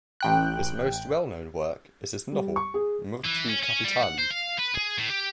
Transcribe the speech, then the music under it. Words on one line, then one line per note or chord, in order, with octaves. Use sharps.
His most well-known work is his novel, "Mrtvi kapitali".
A1 G5 F#6
G3
C#6
G#4
E3
C#4
C#4
G3
F#5
C5
F5
B4
G#4
A2
G4